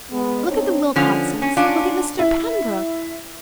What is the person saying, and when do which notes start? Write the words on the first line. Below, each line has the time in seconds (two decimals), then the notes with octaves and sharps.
Look at the Wilcoxes, look at Mr. Pembroke.
0.11 G#3 B3
0.47 C4 D4 D#4 C#5
0.96 D3 F3 C#4
1.42 C#4
1.57 C#4 D4 F4
2.19 E4